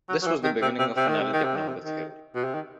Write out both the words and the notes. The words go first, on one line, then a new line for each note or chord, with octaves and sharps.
This was the beginning of analytic number theory.
F#3
F#3
E3
D#3
C3
C3
C3
D#3
C3
D#3
C3
D#3
C3
D#3
B2
C3
D#3